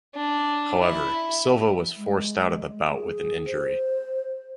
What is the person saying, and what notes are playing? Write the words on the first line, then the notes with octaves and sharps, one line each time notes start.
However, Silva was forced out of the bout with an injury.
D4
E4
G#3
G#4
C5